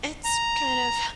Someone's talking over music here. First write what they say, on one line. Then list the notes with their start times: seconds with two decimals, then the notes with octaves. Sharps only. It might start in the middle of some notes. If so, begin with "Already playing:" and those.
It's kind of
0.25 A#5